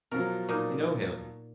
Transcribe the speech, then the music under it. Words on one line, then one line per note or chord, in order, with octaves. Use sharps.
I know him.
B2 F3 F#3 A#4
A#2 D#4